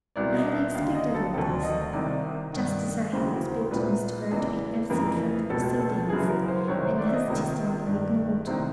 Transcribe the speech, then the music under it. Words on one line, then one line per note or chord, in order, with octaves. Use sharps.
I had expected all this, just as I had expected Mr. Grey to be absent from the proceedings and his testimony ignored.
C2 B2 D5
D#5
E5
D#2 D3 F5
D#5
A4
D2 C3 D#3 A4
D#5
C2 C3 D#3 D5
G2 D#3
D#2 C#3 E3 C5
F#4
C5
C2 A#2 B4
E2 C#3 E3
F2 C#3 E3 A#4
C#2 B2 A4
A4
F#2 C#3 E3 G#4
A#4
C5
C2 C3 D#3 C#5
C5
D5
E5
D#5
C#2 C3 D#3
G2 D#3
C2 C3 D#3 C5